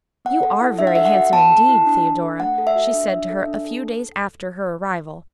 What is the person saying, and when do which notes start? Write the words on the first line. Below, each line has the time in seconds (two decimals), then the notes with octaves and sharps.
"You are very handsome, indeed, Theodora," she said to her a few days after her arrival.
0.25 B3 F#5
0.43 A4
0.61 E4
0.79 D4 E5
0.87 F#5
0.95 A4 E5
1.06 F#5
1.15 F#4
1.33 B3 A5
1.51 A4
1.68 E4
1.86 D4
2.05 D4
2.23 A4
2.39 A3 F#5
2.58 A4
2.67 E5
2.75 F#4
2.94 D4
3.12 D4
3.30 A4
3.47 D4
3.65 A4